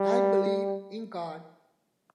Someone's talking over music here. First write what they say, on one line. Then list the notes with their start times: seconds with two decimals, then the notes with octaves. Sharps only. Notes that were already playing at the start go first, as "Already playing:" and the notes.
I believe in God.
Already playing: G3